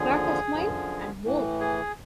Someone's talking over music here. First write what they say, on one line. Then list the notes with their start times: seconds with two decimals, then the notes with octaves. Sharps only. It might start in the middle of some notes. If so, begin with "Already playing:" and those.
Crack a Smile... and More!
Already playing: D#2 D3 F3 G#4
0.54 F#2 D3 F3
1.24 A2 E3
1.60 G#4